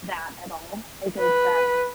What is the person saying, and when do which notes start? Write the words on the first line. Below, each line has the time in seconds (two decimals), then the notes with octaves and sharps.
that at all. I think that,
1.19 B4